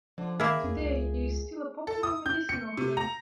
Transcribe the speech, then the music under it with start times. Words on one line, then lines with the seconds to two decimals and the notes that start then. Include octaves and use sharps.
Today it is still a popular medicinal herb.
0.18 D3 F3
0.40 D#3 A#3 E4 G#4
0.64 F2
0.77 C#2
1.87 A4
2.03 D#6
2.26 G6
2.49 C#7
2.77 C3
2.97 A#5